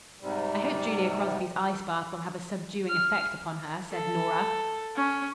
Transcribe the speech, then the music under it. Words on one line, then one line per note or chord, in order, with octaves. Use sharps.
"I hope Julia Crosby's ice bath will have a subduing effect upon her," said Nora.
G#2 C3 G3
F6
A4
C#4